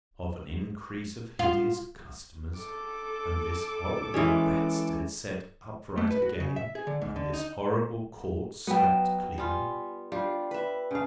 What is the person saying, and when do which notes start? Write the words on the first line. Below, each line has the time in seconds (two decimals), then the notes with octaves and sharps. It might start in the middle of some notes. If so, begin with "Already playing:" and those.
Of an increase of hideous customers, and this horrible bedstead set upright again, and this horrible court swept clean?
1.39 F4
2.57 A4 D6
4.14 E3 G#3 C#4
5.97 A3
6.11 B4
6.22 F#4
6.40 C#3
6.56 E5
6.75 G#4
6.87 D3
7.02 G#2
7.16 D3
7.33 D#4
8.67 F#3 B3 B4 E5 G5
9.38 G3 B3 F4 G#5
10.12 G3 D4 F4
10.51 B4 E5
10.91 C#3 F5 G#5 A5